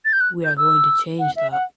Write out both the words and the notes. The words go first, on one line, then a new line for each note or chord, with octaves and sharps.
We are going to change that.
A6
G6
F#6
G6
E6
F#5
E5
F#5